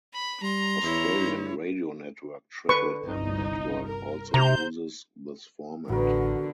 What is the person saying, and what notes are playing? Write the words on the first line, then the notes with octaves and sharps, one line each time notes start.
Australian radio network Triple M Network also uses this format.
B5
G3 A#5 C6
E2 E4 C#5
G2
D3 B4 C#6
G1 C2 D#4
A#4
C3 C5 A#5 G6
A1 D3 B3 F#4 A#4